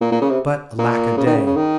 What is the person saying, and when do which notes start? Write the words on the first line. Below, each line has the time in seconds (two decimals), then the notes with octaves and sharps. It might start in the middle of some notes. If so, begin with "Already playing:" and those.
But alack-a-day!
0.01 A#2
0.11 A#2
0.21 C#3
0.30 C3
0.79 A#2
1.17 C#3
1.26 D#3
1.36 C#3
1.47 C#3
1.56 D#3